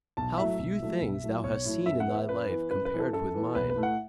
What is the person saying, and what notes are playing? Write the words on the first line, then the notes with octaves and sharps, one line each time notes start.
How few things thou hast seen in thy life compared with mine.
B1 A5
A2 F#3 A3 E5
B1
A2 F#3 A3
B1
A2 F#3 A3
B1 C#5
A2 F#3 A3
F#2 E5
F#5
E3 B3
E5
F#2 B4
E3 B3
F#2 B4
B4
E3 B3
A4
F#2 A4
E3 B3
B1 B4
B4
A2 A3
F#5